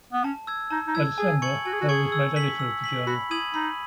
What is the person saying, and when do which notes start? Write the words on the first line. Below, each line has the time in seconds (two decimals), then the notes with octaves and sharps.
By December, Poe was made editor of the journal.
0.12 B3
0.24 C#4 A5
0.47 E6 G#6
0.71 D#4 A5
0.87 D#4
0.95 E4 E6 G#6
1.18 G#4 G#5
1.42 C#6 G#6 C#7 F#7
1.65 F#4 G#5
1.73 G#4
1.81 F#4
1.89 G#4 C#6 G#6 C#7 F#7
2.12 E6
2.36 B6 F#7
2.59 E6
2.84 B6 F#7
3.07 F#4 B5
3.30 E4 D#6 G#6 D#7 F#7
3.54 D#4 B5